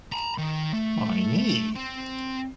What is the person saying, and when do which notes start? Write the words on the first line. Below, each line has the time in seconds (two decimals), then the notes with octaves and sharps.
My knee.
0.12 A#5 B5
0.38 D#3
0.73 A3
1.75 C4